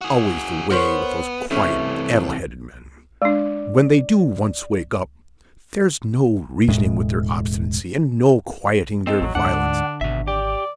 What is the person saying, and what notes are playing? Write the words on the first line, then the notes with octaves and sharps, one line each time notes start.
It's always the way with those quiet addle-headed men: when they do once wake up, there's no reasoning with their obstinacy, and no quieting their violence.
F#4 G#4
B3 A#4 C5 C#5
C3 E3 A3 C#4
G#3 D4 D5
E1 A2 G#3
C4 A4 D#5
A1 F#3
D2 G#2 D3 D4 F#5
G#1 B2 E5
G4 D5